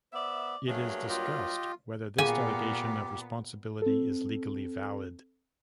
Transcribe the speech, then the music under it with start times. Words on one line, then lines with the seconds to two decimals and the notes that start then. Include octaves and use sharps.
It is discussed whether this delegation of responsibility is legally valid.
0.13 B3 C5 D5 E5
0.67 G2 F#3 A3 A#3 G#4
1.09 F4 G4 D#5
2.18 A#2 B3 G4 G#4 F5 G#5
3.82 C4 A4